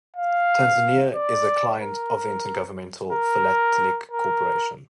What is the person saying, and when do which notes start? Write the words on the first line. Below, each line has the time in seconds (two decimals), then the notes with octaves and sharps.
Tanzania is a client of the Inter-Governmental Philatelic Corporation.
0.16 F5
1.15 D5
1.81 A#4
3.12 A#4
4.11 A#4